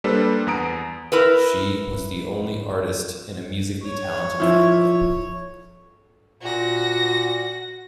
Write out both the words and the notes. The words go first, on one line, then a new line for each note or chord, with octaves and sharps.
She was the only artist in a musically talented family.
G3 A#3 D4 A4 B4 C5
E2 B3 A#5 D#6 D7
E4 A#4 B4
C#5
F3 E4
A#2 F#4 A#6